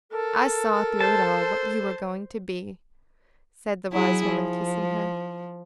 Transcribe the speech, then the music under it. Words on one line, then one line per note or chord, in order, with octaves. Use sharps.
"I saw, through it all, what you were going to be," said the wise woman, kissing her.
A4 A#4
C5 A5
F#3 E4 G#4
F3